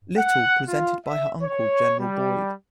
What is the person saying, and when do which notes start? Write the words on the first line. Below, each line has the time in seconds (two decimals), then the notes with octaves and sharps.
Little presented by her uncle General Boyd.
0.18 F#5
0.67 F4
1.06 E5
1.43 C#5
2.00 G3